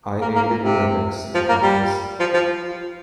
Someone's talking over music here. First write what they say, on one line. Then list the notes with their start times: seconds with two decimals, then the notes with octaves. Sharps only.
I ate wheatabix for breakfast.
0.21 A#3
0.35 A#3
0.50 A#2
0.64 C3
1.34 F3
1.49 A#3
1.63 G3
2.20 F3
2.34 F3